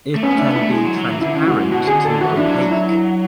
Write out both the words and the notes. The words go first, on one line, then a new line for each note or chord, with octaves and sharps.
It can be transparent to opaque.
A3
B3 C#4
A3 D4
B3
E4
A3
G#3 G#4
F#3
F#3
E3
C#3
D3 E4
C#3
G#2 F#4
G#2
B2 F#4
D3
G#4
D3
A4
D3
E3 F#4
E3 D4
F#3
D4
E4